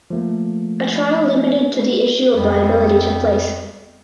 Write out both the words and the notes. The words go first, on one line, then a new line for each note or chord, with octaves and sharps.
A trial limited to the issue of liability took place.
F3 A3 A#3
F2 G3 B3